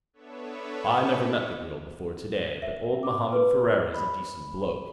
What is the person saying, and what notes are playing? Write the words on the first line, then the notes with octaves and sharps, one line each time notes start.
I never met the girl before today, but old Mohammed Ferriera's a decent bloke.
B3 D4 A4 B4 C#5 E5
E5
D6
B4
B5